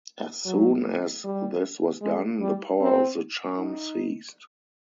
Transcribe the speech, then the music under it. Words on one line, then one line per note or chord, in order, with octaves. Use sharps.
As soon as this was done, the power of the charm ceased.
F#3
G3
G#3
G3
C4
D#4